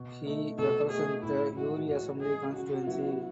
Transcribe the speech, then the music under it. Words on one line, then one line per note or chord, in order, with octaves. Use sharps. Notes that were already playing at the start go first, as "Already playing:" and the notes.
He represents the Uri Assembly Constituency.
Already playing: B2
A3 D#4
B2 A4
A3 D#4 G#4
A2 E4
E3 G#3 F#4
A2 F#4
E3 G#3 G#4
C#3 F#4
F#3 B3 E4